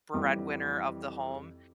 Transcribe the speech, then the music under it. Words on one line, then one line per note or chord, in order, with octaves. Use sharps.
breadwinner of the home,
F2 E3 G3